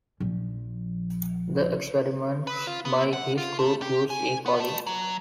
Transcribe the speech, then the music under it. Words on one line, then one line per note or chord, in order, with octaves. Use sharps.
The experiments by his group used "E. coli".
A#1 F3
B4
F4
B3
F#5
F4
A3
G4
G#5
B3
A3
F#3